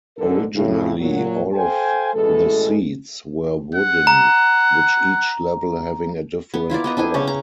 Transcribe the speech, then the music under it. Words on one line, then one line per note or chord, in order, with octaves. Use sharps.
Originally, all of the seats were wooden, with each level having a different color.
B1 G#2 D3 A4 A#4
A2 C#3
A#2 F#3
A4 C5 F5 G5 G#5
A1 B2 E3 G#3 A3 A4
F#5
A#5
B3
E4 F4 A#4 D5
B3 D#5 A#5
D4 E4 G5 G#5
C#3 C#4
A#5